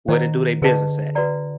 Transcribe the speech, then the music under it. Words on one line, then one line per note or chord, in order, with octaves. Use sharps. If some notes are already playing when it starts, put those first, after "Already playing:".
where to do they business at.
D#3 C5 D#5 F#5 A#5
D3 G#4 B4 D#5 F#5 A5
F#4 B4 D5 F#5 A#5